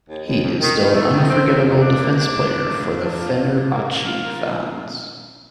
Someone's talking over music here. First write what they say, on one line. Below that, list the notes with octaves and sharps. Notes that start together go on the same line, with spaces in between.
He is still an unforgettable defence player for Fenerbahce Fans.
D#2
D#2
F2
D#3
D#3
A3
D#3
C4
C4
F2
D4
A#3
D4
A2
D4
A#3
A2
D4
F4
A2
A#3
A#3
A#3
F4
A#3